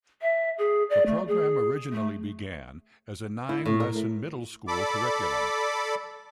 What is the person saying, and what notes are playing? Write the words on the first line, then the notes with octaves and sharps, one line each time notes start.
The program originally began as a nine lesson middle-school curriculum.
E5
G#4
D5
A3
G#4
A3
E4
A2
A#4
A3
A4 D5 B5 D6